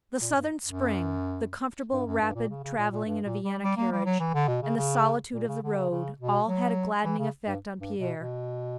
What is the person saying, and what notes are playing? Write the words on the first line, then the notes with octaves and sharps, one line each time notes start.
The southern spring, the comfortable rapid traveling in a Vienna carriage, and the solitude of the road, all had a gladdening effect on Pierre.
A#2
G2
F#2
G2
F#2
G2
A#2
C#3
C#3
A#2
A#2
G2
A#2
G3
G3
A#3
G3
F#3
E3
D3
B2
C#3
C#3
A#2
C#3
D3
C#3
C#3
B2
F#3
E3
C#3
G2
G2
B2
B2